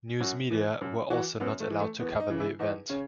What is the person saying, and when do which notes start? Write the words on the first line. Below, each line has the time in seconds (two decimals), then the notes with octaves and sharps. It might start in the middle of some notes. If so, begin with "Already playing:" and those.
News media were also not allowed to cover the event.
0.20 F#2 F#4
0.50 E3
0.81 F#2
1.10 E3 F#4
1.40 F#2 B3
1.60 A3
1.70 E3
1.80 A3
2.00 E2 B3
2.20 D#4
2.30 C#3 E3
2.40 E4
2.59 E2 D#4
2.89 C#3 C#4